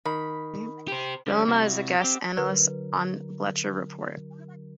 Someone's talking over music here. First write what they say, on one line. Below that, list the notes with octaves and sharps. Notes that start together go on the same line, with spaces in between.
Vilma is a guest analyst on Bleacher Report.
D#3 B5
G4 C5
D3 G3 C#4
C3 G3 E4 F#4
C4 G4
D3 F#3 A#4 B4